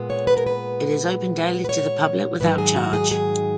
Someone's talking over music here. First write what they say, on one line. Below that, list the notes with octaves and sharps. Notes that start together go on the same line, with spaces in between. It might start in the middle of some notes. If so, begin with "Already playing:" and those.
It is open daily to the public without charge.
Already playing: A#2 G#3 B3
C#5
B4
A#4
B4
B4
C#5
G#2 D#3 F#3 B4
G#4
F#4
G#4
G#4